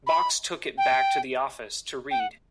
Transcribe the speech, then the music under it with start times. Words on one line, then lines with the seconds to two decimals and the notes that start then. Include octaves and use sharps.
Box took it back to the office to read.
0.07 B5
0.78 G5
2.11 G5
2.20 F#5